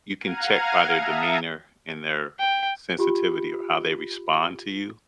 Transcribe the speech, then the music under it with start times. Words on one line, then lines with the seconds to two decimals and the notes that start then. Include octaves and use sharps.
You can check by their demeanor and their sensitivity, or how they respond to you
0.18 F5 F#5 A#5 F6 G#6 D#7
0.91 E5 A5 A#5 D#6
2.40 G5
2.99 F4 G4 B5